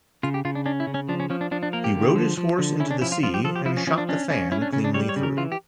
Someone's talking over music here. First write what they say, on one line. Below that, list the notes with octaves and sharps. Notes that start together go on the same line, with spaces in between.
He rode his horse into the sea and shot the fan cleanly through.
C#3 F4
G4
C#3 F4
D4
C#4 D4
E4
C#3
C#4
F3 D4
C#4
F3 C#4
D4
F3 D4
D4
A#3 A#4
G4
D3
F3
F3
D3
C#4 E4
D4
F3 E4
F4
F3 F4
G4
F3 A4
G4
F3 E4
C#4
F3 C#4
D4
C#4 D4
C#4
C#4 E4
D4
C#3 C#4
D4
G3 C#5
C#5
C#3
A#4
E3 F4
G4